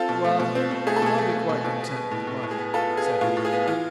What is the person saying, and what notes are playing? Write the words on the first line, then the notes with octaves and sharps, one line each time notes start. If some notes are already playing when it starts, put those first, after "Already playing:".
"Well, I'll be quite content with the money," said he.
Already playing: C4 F4 A4
B2
A3
B2
C4
B2
A3 G#4
A4
B2 G#4
A3
B2
B2
B2
B3
B3
A2
A2
A2
G#4
B3
B3 F4 A4
B3
G#4
B3
A2 F4
A2
G#4
B3
E3 F4